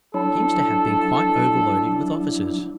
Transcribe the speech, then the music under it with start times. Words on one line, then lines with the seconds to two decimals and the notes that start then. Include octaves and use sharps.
He seems to have been quite overloaded with offices.
0.14 F#3 D4 E4 A4